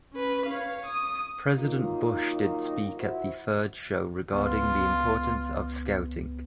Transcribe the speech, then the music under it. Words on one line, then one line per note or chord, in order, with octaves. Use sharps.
President Bush did speak at the third show regarding the importance of Scouting.
C#4 B4
C#5 F5
D#6
D#3 F#3 A#3 D#4 F4
E4 F#4 C5
C#2 B3 F4